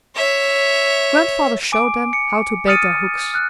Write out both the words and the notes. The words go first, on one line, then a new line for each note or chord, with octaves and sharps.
Grandfather showed them how to bait their hooks.
C#5 E5
G#5 D6 D7
C#7
D#6 F6 A6 C#7 D#7
F6 F#6